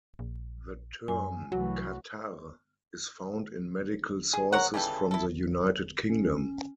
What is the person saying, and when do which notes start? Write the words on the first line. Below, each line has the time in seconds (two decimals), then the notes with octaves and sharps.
The term "catarrh" is found in medical sources from the United Kingdom.
0.19 A#1
1.08 F#2 G#5
1.52 C2 E3 F#3 A3 F#4
4.33 G#4
4.53 A#4 C#5 F#5
4.74 C#3 E3 G3 A4
5.11 E4 A4
6.09 C#4